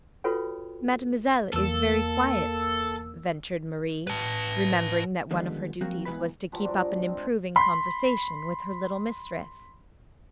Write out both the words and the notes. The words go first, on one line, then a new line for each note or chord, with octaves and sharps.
"Mademoiselle is very quiet," ventured Marie, remembering that one of her duties was to keep up an improving conversation with her little mistress.
F4 F#4 A4 B4 C#5 G5
E2 A#3 A4 E6
B4 A5
D3 D#3 F3 G3 G#3 B3
F3 F#3 A#3 C4 F#4
E2 G#2 D#3 E3 B4 B5
G2 F3 F#3 G4
G#2 D4 D#4
C4
B5 C6